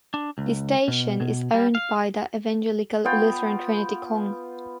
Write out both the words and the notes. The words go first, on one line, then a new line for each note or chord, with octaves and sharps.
The station is owned by The Evangelical Lutheran Trinity Cong.
D4
C#2
B2
B2
G3
F5
B3 F4 G5